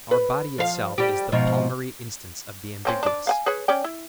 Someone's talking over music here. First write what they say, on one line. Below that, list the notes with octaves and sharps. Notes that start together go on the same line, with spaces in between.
Our body itself is the palmary instance of the ambiguous.
B4
F3 F5
G3 G4
G#2 B2 F3
A#3 C4 C#4
D4 D5
F5 F#5 G#5
G#4 B4 C#5
C#4 D5 G5
E4